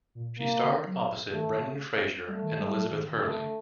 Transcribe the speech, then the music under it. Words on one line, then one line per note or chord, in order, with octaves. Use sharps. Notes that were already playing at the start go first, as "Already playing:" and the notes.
She starred opposite Brendan Fraser and Elizabeth Hurley.
A#2
C3 A#3
D3
F#3
D#3 A3
D#3
D3
G3 A3
D#3
G3
F#3
D#3
D#3
D3 A3
D3